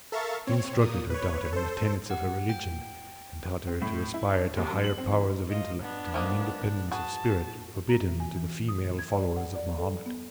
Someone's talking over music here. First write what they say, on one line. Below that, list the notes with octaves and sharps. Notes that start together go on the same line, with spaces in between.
She instructed her daughter in the tenets of her religion and taught her to aspire to higher powers of intellect and an independence of spirit forbidden to the female followers of Muhammad.
A4 A#4 E5 F5 C#6 A6
C4 C#5
A#2 A#3 D#6
B4 C#5
A4 C5
G4 F#5
G5
C4
A2
E4
D4
D#2
F#2
F#7
C4
E3
F4 D#5
B3 D4
F3 A#3 D#5
F#4 G#4 B4 A5
A#5
E3
G#5
E3
D#6
G#6
D5
F#5
D5
A4
B3